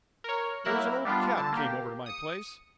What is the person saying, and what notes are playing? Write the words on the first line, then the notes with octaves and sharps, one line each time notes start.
There was an old cat came over to my place.
A#4 C#5
F#3 A#3 E4 A#4 E6 F#6
G3 B3 D4 F4
D3 A5
A#3 G4
D#6 C#7